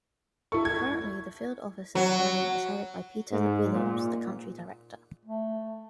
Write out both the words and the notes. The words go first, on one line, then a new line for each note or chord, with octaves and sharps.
Currently the field office in Yemen is headed by Peter Williams, the country director.
E4 A4 C#6
G#6
F#3
G#2
A#2
A3